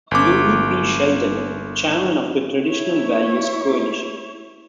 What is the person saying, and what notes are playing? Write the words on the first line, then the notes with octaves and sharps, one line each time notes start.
Louis P. Sheldon, chairman of the Traditional Values Coalition.
G1 D6
E4 C#5